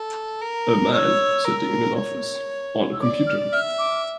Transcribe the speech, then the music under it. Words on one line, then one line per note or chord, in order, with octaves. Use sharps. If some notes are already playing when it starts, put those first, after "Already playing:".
A man sitting in an office on a computer.
Already playing: A4
A#4
C#5 E6
A#4
C#5
E6
D5 D6
F6
E5 F6
D6